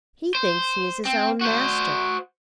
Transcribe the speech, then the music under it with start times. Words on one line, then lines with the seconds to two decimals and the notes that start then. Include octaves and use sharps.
He thinks he is his own master.'
0.35 C5
1.05 C4
1.41 F#4 C5